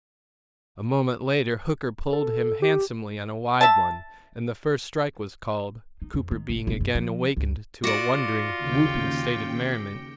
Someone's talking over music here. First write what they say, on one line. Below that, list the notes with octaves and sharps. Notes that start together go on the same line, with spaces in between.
A moment later Hooker pulled him handsomely on a wide one, and the first strike was called, Cooper being again awakened to a wondering, whooping state of merriment.
A4
G4
E5 A5
D#4
F2
D#3
F1
E1
F#2
F3
C#2
F4 F#4 D5 D6 A#6 C#7
D#2 C#3 G5